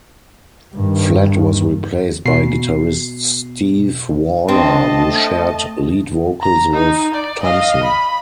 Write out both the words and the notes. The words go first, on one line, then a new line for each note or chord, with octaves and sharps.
Flett was replaced by guitarist Steve Waller, who shared lead vocals with Thompson.
G2 D#3
B2 C7
C4 D4 D#5 A5
A3
A#5
D#4
D5
D#5 F5
B5